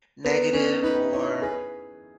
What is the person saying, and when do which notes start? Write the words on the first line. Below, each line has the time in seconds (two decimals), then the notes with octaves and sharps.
negative or
0.24 B3 A#4
0.53 C#4
0.83 D#4 B4
1.12 E4 C#5
1.42 G#4 B4